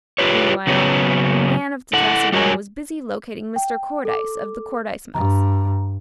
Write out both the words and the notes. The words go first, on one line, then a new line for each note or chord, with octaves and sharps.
Meanwhile the man of the dressing room was busy locating Mr. Cordyce of the Cordyce Mills.
F4 G4 B4 C#5
C#3 F#3 B3 C#4
E4 A4 F#5
G3 F#4 A#4 C#5 G#5
G5
A4 D6
G2 A#5